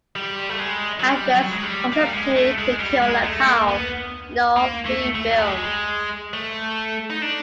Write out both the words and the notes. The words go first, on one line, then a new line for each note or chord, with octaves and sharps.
Andreas also played the killer, Karl, in all three films.
G3
A3
G#3
F#3
G3
F#3
G#3
G3
A#3
G3
G#3
A3
G#3
G3
G#3
A3
A#3
B3
A#3
A3
A3
F#3
G3
G#3
A3
D#4
D4